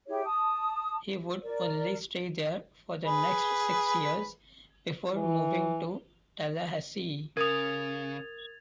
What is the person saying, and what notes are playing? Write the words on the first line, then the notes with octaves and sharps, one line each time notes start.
He would only stay there for the next six years before moving to Tallahassee.
E4 G4 G#4 C#5
A5 D#6
A#4 D5
G#4 B4
E3
C#3 A#4 D#6 G#6 A6 F7